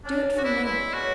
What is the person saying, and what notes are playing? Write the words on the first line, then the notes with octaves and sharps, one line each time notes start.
Do it for me....
C#4 D4
F#4 G#4 D5
E4
G#3 E4
C#4 F#4 G#4 B4